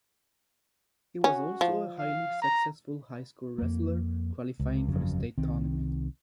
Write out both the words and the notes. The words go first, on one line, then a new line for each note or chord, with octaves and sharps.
He was also a highly successful high school wrestler, qualifying for the state tournament.
C#4 F#4
F3
F5
A#5
F2 A#3
C#2
G1 F2 C#3 F#3
C2 D#3 C4